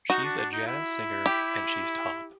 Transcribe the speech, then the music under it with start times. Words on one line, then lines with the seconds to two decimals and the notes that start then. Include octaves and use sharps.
She's a jazz singer and she's top.
0.10 D#4 F#4
0.25 D4
0.38 D4
0.53 D#4
0.68 E4
1.26 G4